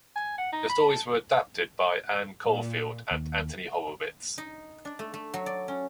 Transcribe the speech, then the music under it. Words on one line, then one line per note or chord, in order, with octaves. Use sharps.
The stories were adapted by Anne Caulfield and Anthony Horowitz.
G#5
F#5
D#4
B5
A4
A#2
D#2
D#4
D4
A3
A3
F#3
D5
C#4